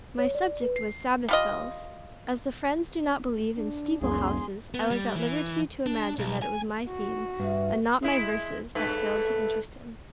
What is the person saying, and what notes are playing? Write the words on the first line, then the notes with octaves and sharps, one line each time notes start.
My subject was "Sabbath Bells." As the Friends do not believe in "steeple-houses," I was at liberty to imagine that it was my theme, and not my verses, that failed to interest him.
C#5
D5
B4
C7
G3 F4 D#5
D4
E1 C#2 F#2 C#3 G#4 C6
B3
G3
E3
D4
B1
G#5
F#4
G2 B4 E5
G#3 E4
G2 A3 B4